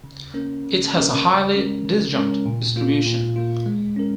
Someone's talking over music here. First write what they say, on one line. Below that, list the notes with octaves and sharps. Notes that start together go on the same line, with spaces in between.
It has a highly disjunct distribution.
C#3
A#3 C#4 A#4
C#3
A#3 C#4 A#4
C#3
G#3 C#4 A#4
C#3
G#3 C#4 A#4
A#2
A#3 F4
A#2
A#3 F4
G#3
C#4 A#4